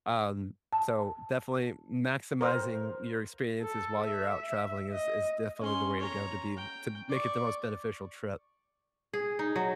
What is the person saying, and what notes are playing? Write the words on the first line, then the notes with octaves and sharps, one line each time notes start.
Um, so definitely maximizing your experiences while you're out traveling is is definitely the way to go to be to make it the most beneficial trip.
A5
A#4 C5
A4
E5
D#5
C#4 C6
C#5 A#5
G5
D5 C#6
G#4
D#4
F#3